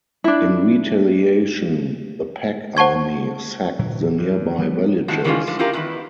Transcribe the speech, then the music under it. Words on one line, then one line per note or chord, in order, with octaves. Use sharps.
In retaliation, the Pak army sacked the nearby villages.
D4 E4
C5 F#5 A5 C#6 G#6
A#2 D3 E3 F#3
G2
F3 G3 A3 B3
A2 C3 D#3 F#4 G4 A5
D#3 E3 G3 C4 C#4 F4
D3 F3
C#4 E4 F4 G4 A#4
E2 D#3 E4 B4